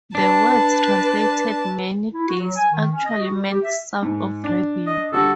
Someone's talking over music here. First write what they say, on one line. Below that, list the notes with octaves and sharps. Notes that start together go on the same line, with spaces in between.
The words translated 'many days' actually meant 'south of Rabin'.
D4 B4 A5
E4
F#4
F#3
G#5
D#3
C#4
D#5
F#4
G3
G4
E5
G#2
D4
D#5
D3 G3 F#4 A4